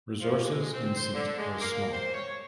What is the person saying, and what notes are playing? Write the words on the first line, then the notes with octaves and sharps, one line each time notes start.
Resources in seat was small.
F3
G#3
G#3
C4
C5
D3
G#3
A#3
C5
C#5